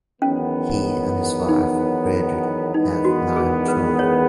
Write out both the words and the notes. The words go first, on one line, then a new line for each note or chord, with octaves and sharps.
He and his wife Bridget have nine children.
E2 D#3 F#3 B3 C#4
D#4
E2 D#3 G#3 B3 D#4
F#4
G#4
B4
C#5